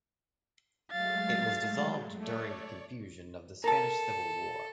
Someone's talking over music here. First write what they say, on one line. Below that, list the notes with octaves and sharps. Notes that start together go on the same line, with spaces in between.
It was dissolved during the confusion of the Spanish Civil War.
F#3 G#3 A3 F5 A6
A3 C#5 D5
A4 A#4 A5